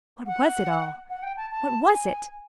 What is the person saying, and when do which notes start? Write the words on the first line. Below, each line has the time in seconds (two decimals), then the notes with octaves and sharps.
What was it all--what was it?
0.27 F#5
1.10 F#5
1.23 G5
1.37 A5
1.51 A5
1.93 G#5